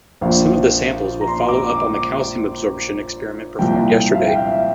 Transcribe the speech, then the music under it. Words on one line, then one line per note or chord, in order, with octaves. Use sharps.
Some of the samples will follow-up on the calcium absorption experiment performed yesterday.
A#1 A#2 F3 F5
A#5
C6
D6
D6
C2 A#2 F3 G5
G5
E5
F5
G5
F5
E5